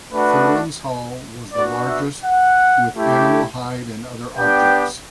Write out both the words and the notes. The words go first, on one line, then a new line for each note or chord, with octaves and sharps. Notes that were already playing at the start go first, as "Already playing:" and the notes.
Thirlings Hall was the largest, with animal hide and other objects.
A3 D4 F#4 B4
B3 D4 F#4 D5
E5
F#5
A3 E4 G4
B3 D4 G4 G5